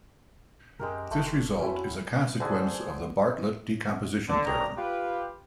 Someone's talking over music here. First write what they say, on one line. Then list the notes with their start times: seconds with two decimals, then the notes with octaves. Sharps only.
This result is a consequence of the Bartlett decomposition theorem.
0.80 F#2 G#3 G4 A#4
1.11 F#1 A3 C5
1.60 F2 C#4 E4 F#4 B5
2.40 D2 E3 G#4 C5 F#5 G#5 A5
4.29 D3
4.46 D4 G4 A#4 C#5 D#5 A#5
4.76 F4 G4 B4